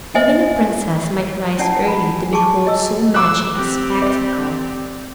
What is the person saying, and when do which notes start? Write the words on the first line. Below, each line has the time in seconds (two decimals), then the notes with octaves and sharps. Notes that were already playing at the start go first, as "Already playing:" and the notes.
Even a princess might rise early to behold so magic a spectacle.
0.15 C5 D#5 E5 G#5
1.59 C#4 E4 D5 F#5 G#5 A5
1.85 G#5 B5
2.33 G#4 G#5 A5 C#6 D6
2.67 D#5 E6
3.14 D6 E6 F#6
3.55 C4 G4
4.02 D5